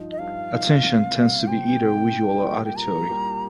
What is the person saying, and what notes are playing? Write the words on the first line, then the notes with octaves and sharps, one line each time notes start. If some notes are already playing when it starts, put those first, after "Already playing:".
Attention tends to be either visual or auditory.
Already playing: G2 F3 D#4
D#5
G2 F5
F3 D#4
C3
G3 C4
C3 G5
G3 C4
A#2
G3 A#3 G4
G5
A#2 A#5
G3 A#3 G4